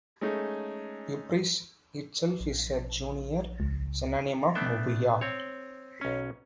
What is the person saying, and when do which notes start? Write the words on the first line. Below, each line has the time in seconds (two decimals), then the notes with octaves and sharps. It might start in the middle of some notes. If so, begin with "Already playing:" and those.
"Euprepis" itself is a junior synonym of "Mabuya".
0.21 G#3 A3 C#4 D#4 G#4 A4
2.40 A#1
3.60 C#2
4.55 A3 B3 D4 E5 G5
5.21 C4 C#5
6.01 B1 C#4